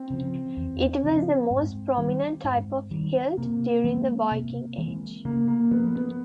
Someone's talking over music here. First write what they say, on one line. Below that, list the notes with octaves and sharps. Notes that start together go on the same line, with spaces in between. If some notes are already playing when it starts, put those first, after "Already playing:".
It was the most prominent type of hilt during the Viking Age.
Already playing: C4
C#3 F3
E2
C#3 F3
G#2
D#3 G3
G#2
D#3 G3
C3 A#3
E3 G#3 C4
C3
E3 G#3 C4
C#3 A#3
A#3
F3 A3 B3
B3